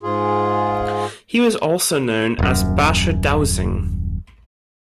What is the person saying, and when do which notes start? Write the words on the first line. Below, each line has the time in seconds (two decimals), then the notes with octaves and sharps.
He was also known as "Basher Dowsing".
0.03 G#2 F4 G#4
2.39 D#1 F#2